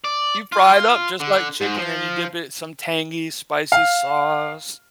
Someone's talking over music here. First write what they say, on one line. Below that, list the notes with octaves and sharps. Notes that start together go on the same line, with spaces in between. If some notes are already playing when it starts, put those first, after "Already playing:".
You fry it up just like chicken and you dip it in some tangy, spicy sauce.
D5
F4
D3
G#2
F3
F5